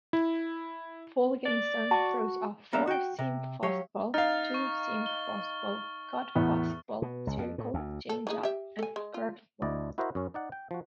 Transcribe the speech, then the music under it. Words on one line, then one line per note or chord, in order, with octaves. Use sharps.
Vogelsong throws a four-seam fastball, two-seam fastball, cut fastball, circle changeup, and curveball.
E4
D5
F#4 A5 C#6
G3 A#3 B3 D5 E5 A#5
F#4 G5
C3
F#3 G4 C#5 F5
D#4 F5 F6 A6
C#6
G7
E2 A2 B3
B2
C#2
F2
A2
D2
A4
E3 D#4 G#4
G4 E5
A4 G#5
G#3
F4
D2 D3 E4 D5 D#5
E4 F#4 A#4 C5 D#5 E5
F#2 C#4
D#4 D5 F#5
G5
F3 F#4